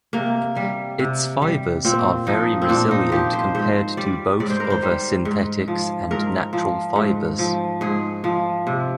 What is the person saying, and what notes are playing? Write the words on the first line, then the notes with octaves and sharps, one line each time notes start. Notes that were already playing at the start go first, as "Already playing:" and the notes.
Its fibers are very resilient compared to both other synthetics and natural fibers.
C3 A#3
G3
C3
G3
A#2 C4
F3 D#4
C4
A#2 D4
D#4
F3 G4
C5
G#2 C5
G3 D5
G#2 D5
C5
A#4
C5
G3
G#2
F3
G#2 A#4
F3
G#2
F3
G#2 G#4
F3
C3